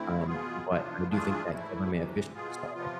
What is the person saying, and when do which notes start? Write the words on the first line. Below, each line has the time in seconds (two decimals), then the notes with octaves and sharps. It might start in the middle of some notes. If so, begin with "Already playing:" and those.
Um, but I do think that government officials are,
Already playing: D2 D3 A3 C4 E4
0.26 B2 B3 F4 G#4
0.67 C3 E3 B3 D4 F4
1.09 E3 A3 D4 F4 G#4
1.50 G#2 E3 A3 E4
1.91 D2 C3 E3
2.32 B2 B3 F4 G#4
2.74 C3 F3 B3 F4